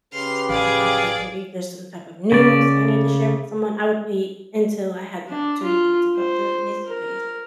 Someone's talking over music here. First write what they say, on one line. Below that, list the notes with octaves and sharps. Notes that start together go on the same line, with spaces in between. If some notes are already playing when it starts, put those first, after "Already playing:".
Um, like, maybe if there's some type of news I need to share with someone, I would wait until I had the opportunity to talk to them face to face.
C#3 G4 B4 C6 F6
A1 G#4 D5 F5
C#3 D5
D4
F4
C5
A#4